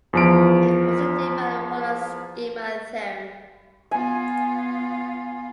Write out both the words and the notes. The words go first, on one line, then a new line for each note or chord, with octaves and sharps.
He also developed Holland's schema theorem.
E2 F3 D7
B3 F4 G#5